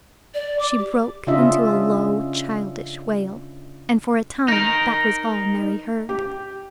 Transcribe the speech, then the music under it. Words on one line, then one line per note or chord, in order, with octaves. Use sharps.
She broke into a low, childish wail, and for a time that was all Mary heard.
D5
D6
G4
C#3 C#4 D4 F4 D#5 E5
D#4 A#4
G4